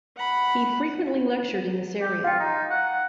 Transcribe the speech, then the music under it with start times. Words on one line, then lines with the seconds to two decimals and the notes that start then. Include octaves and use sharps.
He frequently lectured in this area.
0.17 F#5 B5
2.00 G4
2.24 F4 F5 G5
2.40 D#4
2.70 F#5